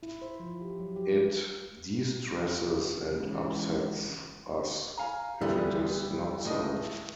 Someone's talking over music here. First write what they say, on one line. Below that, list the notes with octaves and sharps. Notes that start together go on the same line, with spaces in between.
It distresses and upsets us if it is not so.
E4
C5
F3
G4
F#3
G4
G#3
C#2 E3
F5 G#5 A#5
D2 E3 G3 B3
A2 D#5